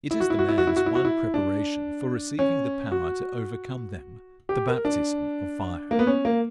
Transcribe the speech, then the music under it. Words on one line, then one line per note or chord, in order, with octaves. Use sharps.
It is the man's one preparation for receiving the power to overcome them, the baptism of fire.
E4
F#4
E4
F#4
E4
F#4
E4
F#4
E4
F#4
E4
D4
C#4
F#4
G4
A#4
D4
A#3
B3
C#4
A#3